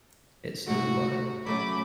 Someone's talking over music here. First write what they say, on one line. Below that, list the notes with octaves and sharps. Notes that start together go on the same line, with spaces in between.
It's no lie.
C3 A3 F#4
F#3 A3 C#4 B5 D6